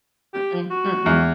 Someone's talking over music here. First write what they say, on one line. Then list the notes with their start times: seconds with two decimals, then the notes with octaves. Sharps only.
Mm-mm, mm-mm.
0.34 G4
0.71 F#4
1.06 E2